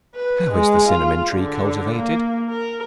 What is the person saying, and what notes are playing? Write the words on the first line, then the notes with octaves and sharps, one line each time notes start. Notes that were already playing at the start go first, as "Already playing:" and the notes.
How is the Cinnamon Tree cultivated?
B4
G#3
F4
D3
A#3
A#4